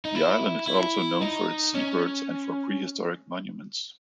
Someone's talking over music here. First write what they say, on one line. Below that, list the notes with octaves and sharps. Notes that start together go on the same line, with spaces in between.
The island is also known for its sea birds and for prehistoric monuments.
D#4
E4
E4
D#4
C#4